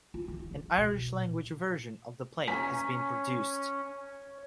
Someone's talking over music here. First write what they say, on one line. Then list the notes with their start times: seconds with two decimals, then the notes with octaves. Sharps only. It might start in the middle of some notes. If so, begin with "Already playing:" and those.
An Irish-language version of the play has been produced.
0.14 F4
0.28 D3 E3
0.51 C#2
0.78 B2
1.13 A#2
2.48 C#4 C#5 G#5 A#5 B6